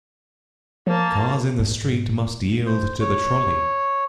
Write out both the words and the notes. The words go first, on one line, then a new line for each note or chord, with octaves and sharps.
Cars in the street must yield to the trolley.
F3 A#3 A5
G#2
C5
C#5